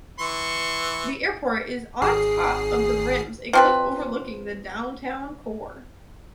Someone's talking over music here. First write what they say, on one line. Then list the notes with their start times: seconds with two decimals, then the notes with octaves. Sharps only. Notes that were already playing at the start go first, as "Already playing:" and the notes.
The airport is on top of the Rims, a cliff overlooking the downtown core.
0.19 E3 C6 C#6
2.02 G#1 G#4 C7
3.53 F3 C4 B4